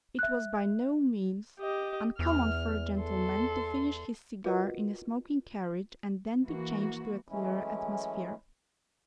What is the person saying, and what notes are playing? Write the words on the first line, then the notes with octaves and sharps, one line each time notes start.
It was by no means uncommon for a gentleman to finish his cigar in a smoking carriage and then to change to a clearer atmosphere.
E5 F#6
G4 D#5
E2 F6
A4 C6
F4 F#4 A#4 B4 D#5 F#5
E3 A#3 F#4
E3 F#3 G#3 A3 C#4 E4